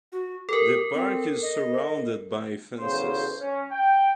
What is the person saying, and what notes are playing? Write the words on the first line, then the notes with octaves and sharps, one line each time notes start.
The park is surrounded by fences.
F#4
G4 A4 A#4
C4
D#5
B1 E2 C#3 C5
C#4
G5